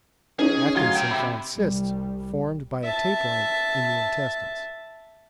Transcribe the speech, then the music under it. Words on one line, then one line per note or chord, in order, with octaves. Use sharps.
Atkinson found cysts formed by a tapeworm in the intestines.
C#4 D#4 G#4
D2 F#3 F4 G#6
E5 G5
C3 B5
C2 G3
E5 A5